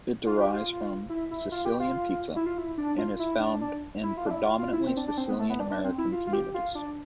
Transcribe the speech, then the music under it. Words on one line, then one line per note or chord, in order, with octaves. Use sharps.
It derives from Sicilian pizza, and is found in predominantly Sicilian-American communities.
F4
G4
F4
E4
E4
F4
G4
F4
E4
F4
E4
D4
F4
E4
D4
D4
E4
F4
D4
E4
F4
F4
E4
C4
D4
D4
C4
B3
A3
B3
D4
D4
C4
E4
F4
F4
G4
F4
D4